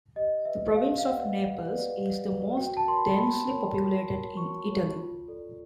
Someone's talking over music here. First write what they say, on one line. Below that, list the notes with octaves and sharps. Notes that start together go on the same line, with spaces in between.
The province of Naples is the most densely populated in Italy.
G4 D#5
B4 D5 E5
G4 F5
F5
B4 D5 F#5
G4
B4 D5
G4
B4 D5
F#4 G5
A5
A#4 C#5 C6
B5
F#4 B5
A#4 C#5
F#4
A#4 C#5
F#4 C#6
A#4 C#5
F4
A4 D5